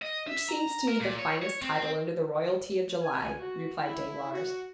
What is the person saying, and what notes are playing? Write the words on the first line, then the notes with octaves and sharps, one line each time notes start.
"Which seems to me the finest title under the royalty of July," replied Danglars.
D#5
E5
A#5
A#4
A#2
C#5
C#5
C4
G#5
F#4
E4
F#4